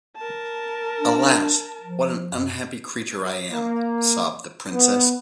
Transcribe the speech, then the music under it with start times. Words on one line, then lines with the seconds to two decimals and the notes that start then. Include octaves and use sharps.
"Alas, what an unhappy creature I am!" sobbed the princess.
0.17 A#4 A5
1.00 D4
1.82 F3
2.34 F#2
3.51 A#3
4.72 B3